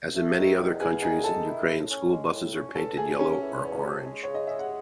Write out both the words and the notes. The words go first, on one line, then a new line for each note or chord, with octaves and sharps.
As in many other countries, in Ukraine, school buses are painted yellow or orange.
A3
D#3
E2
E2 G#4 G#5
D#3 G#4 G#5
D#3 A4 A5
E4
A2
C#4
G#3
A2
C#4
E2 A4 A5
C3 G#4 G#5
C3 C#4 C#5
E3
E2
C3
G#3
C#3 C#5
D#5
G#3 E5
F#5